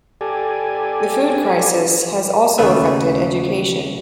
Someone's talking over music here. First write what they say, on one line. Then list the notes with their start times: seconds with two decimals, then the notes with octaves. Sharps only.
The food crisis has also affected education.
0.21 G4 A4 D5 G#5
2.58 D#2 C#3 A3 B3 B4 E5